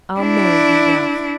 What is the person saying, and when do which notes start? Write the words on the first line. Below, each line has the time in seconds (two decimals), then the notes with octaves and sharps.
I'll marry you, Ralph!...
0.20 D4 E4